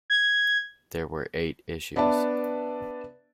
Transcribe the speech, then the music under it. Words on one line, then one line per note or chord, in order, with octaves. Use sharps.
There were eight issues.
G#6
B3 D4 B4 D5 E5 A5